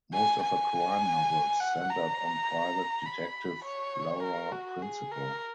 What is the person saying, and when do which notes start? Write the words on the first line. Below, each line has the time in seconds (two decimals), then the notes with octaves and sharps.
Most of her crime novels centred on private detective Laura Principal.
0.14 G#5
0.43 G#5
1.60 F#5
1.89 A#5
3.06 B5
3.65 C#5
4.23 A#4
4.52 F#4
4.82 G#4
5.11 A#4